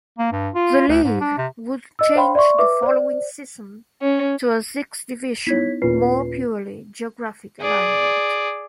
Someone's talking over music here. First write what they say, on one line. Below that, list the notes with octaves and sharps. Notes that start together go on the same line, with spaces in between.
The league would change the following season to a six-division, more purely geographic alignment.
A#3
G2
F4
D2
G#2
D4
C3
D#5 E6
C5 C#5 F5 G5 B5 C6
D5 E5 C6 C#6
B4 E5 D6
C5 D5
C#4
B3 D#4 E4 C#5 G#6 B6
D#2 A#2 C#4 F4 B4 C7
G#4 D5